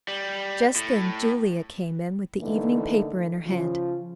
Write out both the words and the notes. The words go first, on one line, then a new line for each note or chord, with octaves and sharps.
Just then Julia came in with the evening paper in her hand.
G3
A2
D3 E3 A3 A#3 D#4 E4
C#3 F3